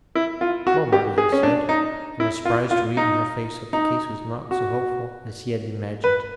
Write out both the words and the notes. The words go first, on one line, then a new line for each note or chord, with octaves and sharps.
"Well, Marty," he said; and was surprised to read in her face that the case was not so hopeful as he had imagined.
E4
F4
F#4
G4
G#4
C#4
D4
D#4
E4
F4
F4
D#4
D#4
F#4
B4